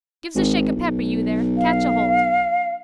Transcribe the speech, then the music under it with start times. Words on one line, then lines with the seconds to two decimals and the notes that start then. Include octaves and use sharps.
Give's a shake of peppe, you there. Catch aholt.
0.35 G#1
0.76 B1
1.58 F5